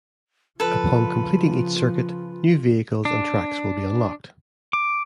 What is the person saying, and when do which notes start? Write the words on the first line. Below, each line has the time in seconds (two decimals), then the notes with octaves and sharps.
Upon completing each circuit, new vehicles and tracks will be unlocked.
0.60 C#3 F3 F4 A4 B4
3.05 D4
4.73 D6